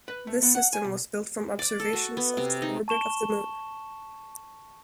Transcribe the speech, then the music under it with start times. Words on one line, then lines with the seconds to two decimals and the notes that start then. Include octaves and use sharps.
This system was built from observations of the orbit of The Moon.
0.08 B4
0.27 A3
0.42 B3
0.55 F#5
0.73 G#5
0.85 B1
1.59 D5
1.80 A4
1.93 F#4
2.17 B3
2.37 C3
2.62 D#4
2.88 A5 C#6 E7 G7